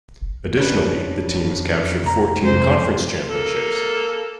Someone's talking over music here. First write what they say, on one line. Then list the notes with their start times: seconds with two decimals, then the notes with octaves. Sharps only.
Additionally, the team has captured fourteen conference championships.
0.57 F2 C#4 D4 B4
2.04 C2 A#5
2.42 F2 C3 G#3 C5
3.30 A#3 A4